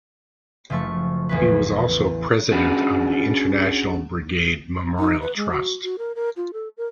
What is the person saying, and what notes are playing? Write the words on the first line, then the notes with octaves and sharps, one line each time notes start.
He was also President of the International Brigade Memorial Trust.
F#1 F3 A3 C#6
A1 E2 B4
C#4 D4 F#4 G#4 B4
D#4
B4
G#3
F#4
F#4
A#4
A#4
F4
A4
A#4